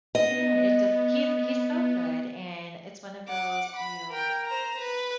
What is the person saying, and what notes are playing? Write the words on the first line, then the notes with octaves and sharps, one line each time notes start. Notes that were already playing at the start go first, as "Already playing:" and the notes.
Yeah, it does he's he's so good, and it's one of those you
B3 D#5
F#5 D6
B5
A#4 G5
C5 A#5
B4